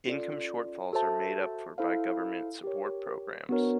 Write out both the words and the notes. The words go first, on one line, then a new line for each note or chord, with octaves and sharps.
Income shortfalls are made up for by government support programs.
C#4 F4 A4 D5
F#4 A4 C5 E5 A5
E4 A4 C5 F5
G4 A#4 C#5
B3 D4 F#4 A#4 C#5